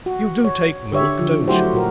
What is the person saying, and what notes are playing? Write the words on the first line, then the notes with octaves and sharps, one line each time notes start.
You do take milk, don't you?
F#4
C#5
D3 G4 C#5 E5
D3 F3
F#3 A3 E4 F#4 G4 C5
A#2 F#4 A#4